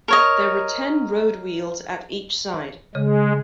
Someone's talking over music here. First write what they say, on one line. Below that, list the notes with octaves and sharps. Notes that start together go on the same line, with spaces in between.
There were ten road wheels at each side.
A#4 C#5 D#5
C#3 G#3